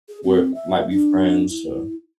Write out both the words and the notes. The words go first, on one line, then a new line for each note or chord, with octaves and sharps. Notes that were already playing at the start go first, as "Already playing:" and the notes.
where might be friends, so,
G#4
C4
E5
D4
E4